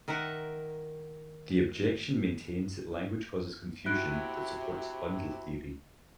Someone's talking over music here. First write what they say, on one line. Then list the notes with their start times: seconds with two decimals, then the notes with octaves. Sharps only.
The objection maintains that language causes confusion that supports bundle theory.
0.08 D#3 A#4 E5 F#5
3.86 C3 E4 F#4 F#6 D7